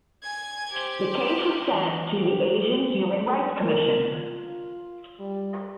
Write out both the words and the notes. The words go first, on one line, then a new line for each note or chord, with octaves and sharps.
The case was sent to the Asian Human Rights Commission.
G#5 G#6
G4 C5
E3
G4
A#4
F4
G3